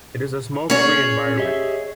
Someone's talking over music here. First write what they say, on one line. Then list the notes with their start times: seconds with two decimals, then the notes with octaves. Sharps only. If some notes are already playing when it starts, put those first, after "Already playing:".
It is a smoke-free environment.
0.70 C#4 G#4 C#5
1.37 G4 D#5 E5